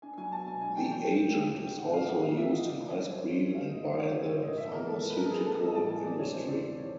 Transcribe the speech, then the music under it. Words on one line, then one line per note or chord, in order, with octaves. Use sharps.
The agent is also used in ice cream and by the pharmaceutical industry.
D4 G#5
F#3 G#5
B3 A5
B2 G#5
D4 G#5
F#3 G5
C#4 G5
D#3
G#3
D#2
C#4
D#3
A2 F#5
E3 F5
A3 F#5
A2 F5
A2 E5
E3 D#5
B3 D5
D#3
C#5
G3
F#2 C5
B3 C#5
D#3
G2 F5
D3 D#5
F3 D5
G2 C#5
G2 C5
D3 C#5
A2 D#5
F3 E5
G#3 A#4
A2 A4
A2
B4
F3 A#4
A4
A#3 G#4
E3 A4
G3 D#5
A2 A5
A#3 G#5
E3 D5
E2 C#5
C3 C5
D#3 D5
E2
C#5